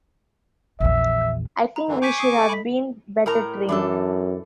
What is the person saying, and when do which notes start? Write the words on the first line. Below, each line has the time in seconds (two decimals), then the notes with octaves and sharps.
I think we should have been better trained.
0.80 A#1 E2 E5
1.76 A#5 B5
1.88 F#2 D3 E3
2.02 G#5 C#6 D6 G6 B6 D#7
2.18 D#6 C7
2.36 A4 D#5
2.49 B5 B6
3.26 A2 A#4 A#5
3.69 F#2 E3 D4 A4